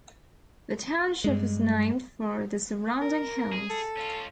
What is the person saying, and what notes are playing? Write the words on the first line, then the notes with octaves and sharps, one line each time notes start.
The township was named for the surrounding hills.
G2 G#3
A#4
G#4
A4
C#4 F4